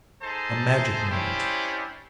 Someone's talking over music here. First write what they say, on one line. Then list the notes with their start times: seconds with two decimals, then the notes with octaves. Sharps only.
A magic moment.
0.22 D#4 G#4 A4 C5 A5 C6
1.10 C#4 D4 E4 G4 C5